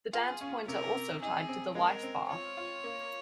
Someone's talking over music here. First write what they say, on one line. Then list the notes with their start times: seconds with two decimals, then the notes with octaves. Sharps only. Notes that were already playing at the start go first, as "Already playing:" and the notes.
The dance points are also tied to the life bar.
0.13 F4 G#4
0.41 C#4
0.68 C3 A#4
0.94 C3
1.22 D#4 G#4
1.49 C4
1.75 G#3 A#4
2.03 C4
2.30 F4 C#5
2.57 F4
2.84 A#3